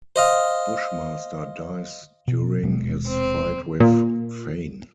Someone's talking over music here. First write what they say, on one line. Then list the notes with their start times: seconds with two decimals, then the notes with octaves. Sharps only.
Bushmaster dies during his fight with Fain.
0.16 C5 D#5 F5
2.28 B2
2.63 D#1 B2 G#3
3.07 C4
3.80 A#2